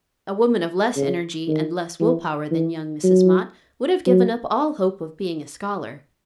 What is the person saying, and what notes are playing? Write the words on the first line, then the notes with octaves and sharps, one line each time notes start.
A woman of less energy and less will-power than young Mrs. Mott would have given up all hope of being a scholar.
C#3
D#3
E3
E3
F#3
F#3